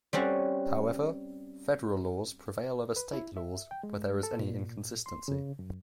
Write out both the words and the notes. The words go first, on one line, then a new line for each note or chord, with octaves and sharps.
However, federal laws prevail over State laws where there is any inconsistency.
G3 C4 C#4 F#4
B4
E4
E5
G5
G#3
A4
A#2
C6
C#3
F#2